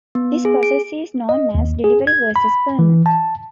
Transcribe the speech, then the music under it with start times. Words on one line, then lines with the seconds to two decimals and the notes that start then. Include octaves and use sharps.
This process is known as delivery versus payment.
0.15 B3
0.45 G#4
0.63 D7
1.29 D#5
1.55 D#2
1.84 G#4
2.07 G#6
2.36 B5
2.79 E3
3.06 A5